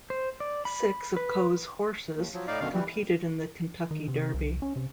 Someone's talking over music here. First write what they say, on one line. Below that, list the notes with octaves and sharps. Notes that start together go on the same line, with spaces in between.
Six of Coe's horses competed in the Kentucky Derby.
C5
D5
B5
B4
D#2
F3 F#3
A2 D#4 D5 F5
F#2 B2 D3 D#3 F5
E3 G3
D#3
C3
C2
C#4
C3